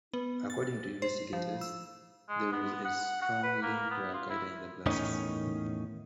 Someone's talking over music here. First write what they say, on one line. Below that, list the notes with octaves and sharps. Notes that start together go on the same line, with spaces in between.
According to investigators, there is no strong link to Al Qaeda in the blasts.
B3
A6
C5
F3
E6
G#3
B3
F#5
F#5
B4
A#3
B3
F4
E4
E2 A2 D#3 C#4 D#4